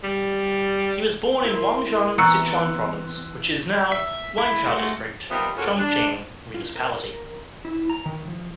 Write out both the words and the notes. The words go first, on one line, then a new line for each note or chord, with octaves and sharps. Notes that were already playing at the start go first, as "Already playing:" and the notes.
He was born in Wanxian, Sichuan Province, which is now Wanzhou District, Chongqing Municipality.
G3
E4 A#4 C6
E3 B3 C4 A#5 C#6 E6 F#6 C#7
E5
E4
G#3 A3 F#4
C3 D#3 F3 G3 B3
F3 G#3 A#3 C#4 F#4 A4
D4
F4
A#4
E4
A#5
D#3
F3